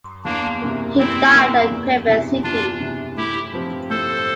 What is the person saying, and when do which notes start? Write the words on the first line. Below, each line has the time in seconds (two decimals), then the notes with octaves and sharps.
He died at Quebec City.
0.25 E2 A#3 D4
0.61 C3 E3 A#3
0.98 E2 C4 E4
1.35 C3 E3 A#3
1.71 E2
2.07 C3 E3
2.43 E2 D4 F4
2.80 C3 E3
3.17 A2 E4 G4
3.53 F3 C4 G4
3.90 A2 A4 C5